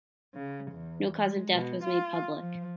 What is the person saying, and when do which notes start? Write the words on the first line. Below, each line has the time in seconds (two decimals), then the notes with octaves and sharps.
No cause of death was made public.
0.34 C#3
0.72 E2
1.20 G#3
1.53 B2
1.85 F4
2.38 F3